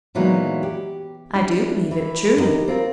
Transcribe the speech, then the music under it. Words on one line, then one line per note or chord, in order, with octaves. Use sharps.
"I do believe it, truly."
A#2 D#3 E3 F#3 G#3 B3
G4
D4 E4
E3
B3 D#4 E4 G4 A#4
C4 F4 A#4